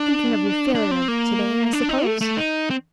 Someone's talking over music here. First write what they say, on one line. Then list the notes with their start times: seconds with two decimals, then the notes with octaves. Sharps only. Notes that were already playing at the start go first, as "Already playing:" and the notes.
"Thinking of your failure of to-day, I suppose?"
Already playing: D4
0.75 D4
0.91 C4
1.08 A#3
1.73 D4
1.89 D#4
2.05 A3
2.21 A3
2.37 D#4
2.70 C4